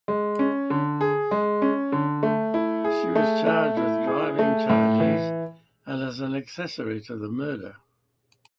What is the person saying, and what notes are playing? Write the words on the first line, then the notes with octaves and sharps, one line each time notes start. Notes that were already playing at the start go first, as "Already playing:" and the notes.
She was charged with driving charges and as an accessory to the murder.
G#3
C#4
D3
G#4
G#3
C#4
D3
A3
E4
G#4
A3
A3
E4
G#4
A3
A2
E3